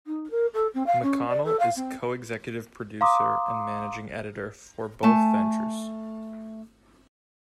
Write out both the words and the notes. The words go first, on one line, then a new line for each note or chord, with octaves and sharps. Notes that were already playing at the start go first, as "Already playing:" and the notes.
McConnell is co-executive producer and managing editor for both ventures.
D#4
A#4
A4
C4
F5
C#4
D5
A4
F5
C4
F5 A#5 C6 D6 D#6
A3 G#5 A5